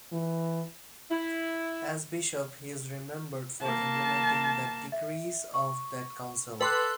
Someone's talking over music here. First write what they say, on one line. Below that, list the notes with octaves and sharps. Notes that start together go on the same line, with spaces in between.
As bishop, he is remembered for implementing the decrees of that council.
E3
E4
A#3 A5
E5
C#6
A4 B4 G5 C6 D6 F#6